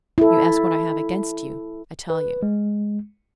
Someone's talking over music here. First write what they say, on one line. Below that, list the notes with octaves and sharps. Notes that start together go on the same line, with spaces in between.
You ask what I have against you; I tell you.
E4 A4
B4
G#3